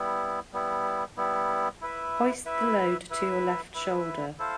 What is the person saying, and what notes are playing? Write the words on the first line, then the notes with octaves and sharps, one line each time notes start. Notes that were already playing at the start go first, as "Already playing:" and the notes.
Hoist the load to your left shoulder.
Already playing: G3 B3 E4
G3 B3 E4
G3 B3 E4
E4 B4 E5
E4 B4 E5
E4 B4 E5
E4 B4 E5
E4 A4 C5 F5